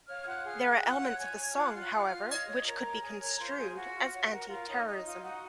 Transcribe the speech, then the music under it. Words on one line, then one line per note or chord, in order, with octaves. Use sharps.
There are elements of the song, however, which could be construed as Anti-Terrorism.
C#5 F5 F6
G#6
F4 F#5 F#6
G#4 F5 F6
G#4 F#5 F#6
F4 F#5 F#6
C#5
C#5 G#5 G#6
C#5
F6
F4 F#5 F#6
F4 F6
F#5 F#6
F4
F5 F6
F4
C#5 D#5 D#6
C#5
A#4 C#5 A#5
C#5
G#4 C#5 G#5
A#4 C#5 A#5
F4 C5 C6
F4 G#4 G#5
F4 F#4 F#5
F4
C#5
A#4
F4 A#4 F5
D#4 C#5
D#4 D#5
D#4 F4 F5
D#4 F#4 F#5